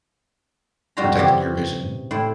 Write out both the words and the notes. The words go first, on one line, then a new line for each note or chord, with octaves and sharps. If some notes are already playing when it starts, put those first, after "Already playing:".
protecting your vision.
F2 G3 F4 F#4 C5 A#5
C#3 E3 C4 G4 C#5
A2 E4 G5 C6